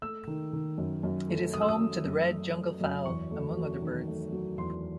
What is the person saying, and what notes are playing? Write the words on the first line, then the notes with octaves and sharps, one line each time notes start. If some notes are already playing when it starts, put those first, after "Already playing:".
It is home to the red jungle fowl among other birds.
A3 E6
D#3
D#3
F#2
F#2
A3
A3 D#6
E6
D#6
A3
F#2
A3
A3
F#2
E2 C#6
A3
F#3
D#3
A3
F#3
E2 C6